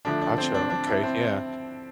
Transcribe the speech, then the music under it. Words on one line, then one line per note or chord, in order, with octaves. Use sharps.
Gotcha, okay, yeah,
D3 F3 A3 D4
D4
C4
D4
D4
E4
C4